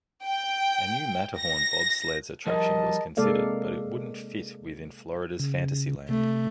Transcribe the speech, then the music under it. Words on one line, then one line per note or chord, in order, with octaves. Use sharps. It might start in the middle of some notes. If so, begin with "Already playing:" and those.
A new Matterhorn Bobsleds attraction was considered, but it wouldn't fit within Florida's Fantasyland.
G5
A#6
F3 G3 G#4 A#4 D#5 A5
C3 G#3 A#3 A4 D5 F5
C#3
C3 A3